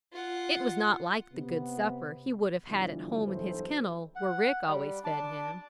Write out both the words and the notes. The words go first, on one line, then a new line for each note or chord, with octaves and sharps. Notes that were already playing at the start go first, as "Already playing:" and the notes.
It was not like the good supper he would have had at home in his kennel, where Rick always fed him.
F4 F#5
C3 B3
G2 B2 D3 E3 F3 G3
B1 G2 E3 A4 C5
F#5
G3
D4 A5 D6